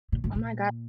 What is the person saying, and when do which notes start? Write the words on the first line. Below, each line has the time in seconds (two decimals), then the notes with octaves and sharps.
Oh my go
0.12 A#2
0.24 A2
0.35 A#2